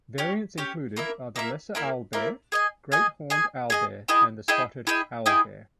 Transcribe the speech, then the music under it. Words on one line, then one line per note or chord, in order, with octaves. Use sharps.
Variants included are the lesser owlbear, great horned owlbear and the spotted owlbear.
C#4 G4 C#5
C#4 G4 C#5
A#3 E4 A#4 E5
A#3 E4 A#4 E5
A#3 E4 A#4 E5
A#3 E4 A#4 E5
G#4 D#5 G#5
G#4 D#5 G#5
G#4 D#5 G#5
G#4 D#5 G#5
E4 G#4 D#5 G5
E4 G#4 D#5 G5
E4 G#4 D#5 G5
E4 G#4 D#5 G5